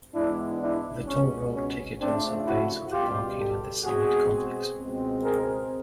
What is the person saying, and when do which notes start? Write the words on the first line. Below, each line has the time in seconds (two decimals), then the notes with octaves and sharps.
The toll road ticket also pays for the parking at the Summit Complex.
0.14 G#2 E3 G#3 B3 D4 E4
0.61 D4 E4
1.07 C#2 B2 G#3 B3 C#4
1.53 C#4
1.99 F2 C#3 F3 A3 C4 D4
2.46 E4 F#4
2.92 C#2 B2 G3 F4 G4
3.38 G4 A4
3.84 B2 G#3 C4 F#4 G#4
4.77 C#2 B2 G#3 C4
5.23 G#4 A#4